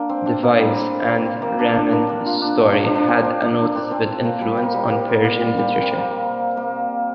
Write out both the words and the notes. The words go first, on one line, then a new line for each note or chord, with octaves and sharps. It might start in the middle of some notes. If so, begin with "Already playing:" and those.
The Vis and Ramin story had a noticeable influence on Persian literature.
Already playing: A#3 D4
C4
D4
A#3
G3
A#3
C4
A#3
D4
D4
A#3
D4
F4
D4
D4
C4
D4
D4
C4
A#3 C4
D4
D4
C4
C4
A#3
G3
A#3
G3
A#3
C4
A#3
G3
G3
A#3
C4
A#3
A#3